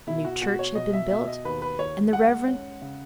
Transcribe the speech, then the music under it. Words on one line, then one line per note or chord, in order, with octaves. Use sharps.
A new church had been built, and the Rev.
B2 E4
F#4
B2 F#4
C#5
B2 D#5
E5
B2 E5
D#5
D#2 B4
B4
D#2 C#5
G#3 F#5
C#4
C#3